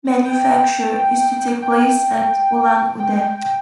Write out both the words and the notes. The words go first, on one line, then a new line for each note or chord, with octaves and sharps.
Manufacture is to take place at Ulan-Ude.
G5
G5
G5